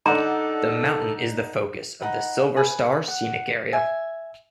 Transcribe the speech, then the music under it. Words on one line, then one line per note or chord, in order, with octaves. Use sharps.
The mountain is the focus of the Silver Star Scenic Area.
D4 D#4 A4 F#5 A#5 D6
D#4 A#4 F#5 B5
G#4 B4 B5
F#5
E5 G#5